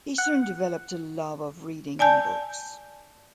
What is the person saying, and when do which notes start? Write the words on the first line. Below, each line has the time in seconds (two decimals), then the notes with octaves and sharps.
He soon developed a love of reading and books.
0.18 F#5
1.99 D5 G#5 A5 G6